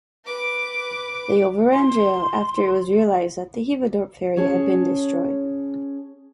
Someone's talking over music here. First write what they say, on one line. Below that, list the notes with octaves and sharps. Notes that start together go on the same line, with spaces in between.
They overran Driel, after it was realised that the Heveadorp ferry had been destroyed.
B4 D6
C6
C#4 G#4 C#5 A5